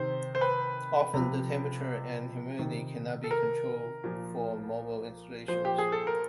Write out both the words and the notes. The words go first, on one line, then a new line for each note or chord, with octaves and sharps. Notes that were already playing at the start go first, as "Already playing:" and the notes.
Often the temperature and humidity cannot be controlled for mobile installations.
Already playing: C3 D#3 C5
C5
B4
C3 F3
C3 D#3
A4
A#4
A#2 F3
A#2 F3 C5
G4
G#4
A4
A#4